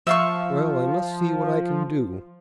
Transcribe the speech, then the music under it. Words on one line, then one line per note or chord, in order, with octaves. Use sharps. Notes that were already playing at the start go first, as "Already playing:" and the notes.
Well, I must see what I can do.
F3 E5 F5 C#6